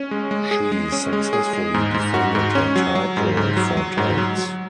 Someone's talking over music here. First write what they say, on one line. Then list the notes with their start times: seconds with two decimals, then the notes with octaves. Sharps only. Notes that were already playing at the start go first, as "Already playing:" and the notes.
She successfully defended her title four times.
Already playing: C#4
0.11 G#3
0.31 G#3
0.51 G#4
0.72 G#3
0.92 C#4
1.13 G#3
1.33 G#4
1.53 G#3
1.74 G#2
1.94 G#2
2.14 F#4
2.35 G#2
2.55 C#4
2.76 F#3
2.95 F#3
3.17 G#2
3.37 G#2
3.57 F#3
3.77 F#3
3.98 G#2
4.18 F#3
4.38 F#3